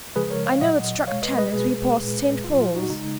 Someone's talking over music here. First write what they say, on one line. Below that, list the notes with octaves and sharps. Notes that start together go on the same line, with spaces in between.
"I know it struck ten as we passed St. Paul's."
C#3 F3 G#3 G#4 B4
A#4 C#5
C#5 F5
A#2 F#3 D#5 F#5
B2 G#3 C#5 F5
B4 D#5
B4 D#5
B2 G#3 G#4 B4
A#2 G#3
A#2 F#3 F4
F4
D#4 F#4
C#3 G#3 D#4